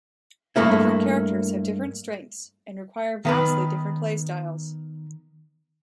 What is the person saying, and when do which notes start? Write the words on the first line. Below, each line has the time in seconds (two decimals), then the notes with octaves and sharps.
Different characters have different strengths and require vastly different playstyles.
0.56 G2 A3 A#3 E4
3.25 D#3 B3 B4